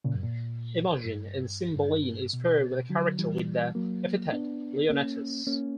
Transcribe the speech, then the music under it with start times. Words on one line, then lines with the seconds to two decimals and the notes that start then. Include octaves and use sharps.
Imogen in "Cymbeline" is paired with a character with the epithet "Leonatus".
0.04 A#2 C#3
0.14 F#2
0.23 A#2
1.05 G2
1.76 G2
2.33 B2
2.90 D3 F#3
3.19 E3 G3
3.75 F#3 A#3
4.32 B3 D4
4.90 A#3 C#4
5.47 A#3 C#4